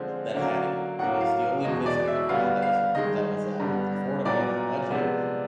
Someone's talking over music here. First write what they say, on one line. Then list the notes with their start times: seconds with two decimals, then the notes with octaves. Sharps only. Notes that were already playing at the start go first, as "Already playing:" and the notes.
Then I had to 'cause the only place that I could find that was that was, um, affordable in my budget
Already playing: D3 F3 G#3 C4
0.34 D3 F#3 A#3 C#4
0.99 A2 F#3 A#3 F#5
1.21 F5
1.64 E2 B2 G#3 D#5
1.86 D5
2.08 E5
2.29 D3 G3 B3 F5
2.62 F5
2.95 G2 D#3 G#3 D#5
3.60 G2 D3 G3 B3
4.25 A#2 F#3 B3 D5
4.91 C3 F3 G#3 B3